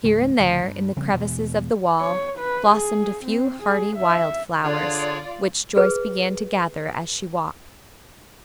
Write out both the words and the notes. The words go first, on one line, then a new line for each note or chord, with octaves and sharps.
Here and there in the crevices of the wall blossomed a few hardy wild flowers, which Joyce began to gather as she walked.
C#2 G#2 A3
A1 D2 C#3 E3
G2
C#3 F3 G3 C4
E2 B2 G#3
C#5
B4
G#4
C4
G#4
E5
D3 F4 G#4 C#5 D5
G#4 B4